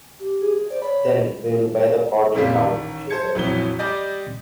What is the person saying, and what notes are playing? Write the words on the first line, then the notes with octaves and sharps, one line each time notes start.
"Then we will buy the cord in town," she said.
G4
G#4
C5 D5
C#5 B5
F2 A#2 C#3 G3 A#3
A1 D#3
C5 A5 G#6 C#7
E1 A#1 F2 E3 F#3 G7
G3 D5 D#5 G6